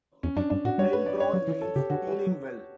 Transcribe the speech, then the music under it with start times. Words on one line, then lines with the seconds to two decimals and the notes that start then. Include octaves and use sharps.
"Heilbronn" means "healing well".
0.23 E2 C#4
0.36 F#2 D4
0.50 G2 D4
0.65 A2 F#4
0.78 G3 C#5
0.93 B4
1.06 D5
1.20 C#5
1.33 F#3 C#5
1.47 E3
1.61 A4
1.76 C#3 G4
1.90 D3 F#4
2.07 E3
2.27 F#3